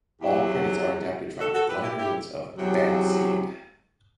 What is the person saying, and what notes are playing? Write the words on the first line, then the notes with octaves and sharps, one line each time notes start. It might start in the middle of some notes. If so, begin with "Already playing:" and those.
All credits are adapted from liner notes of "Bad Seed".
E2 C3 F#3 E4 G4
F#4 A4
F#4 A4
G4 B4
E4 G4
E4 G4
E2 C3 F#3